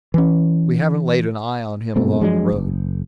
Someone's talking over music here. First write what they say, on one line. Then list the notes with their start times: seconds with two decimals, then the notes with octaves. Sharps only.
We haven't laid an eye on him, along the road.
0.14 E3 C#4
1.96 G2 B2 A3 C4
2.21 F3 F#3 G#3 D4
2.52 F#1